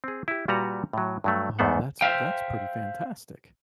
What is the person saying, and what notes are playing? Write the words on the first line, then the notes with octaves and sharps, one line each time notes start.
Oh, that's that's pretty fantastic.
C4 G#4
E4 G4
A#2 G3 F#4 B4 F#5 A#5
A2 F#3
G2 F#3 A3
E2 G#2 A3 B3 C5 F#5
C5 E5 F5 G5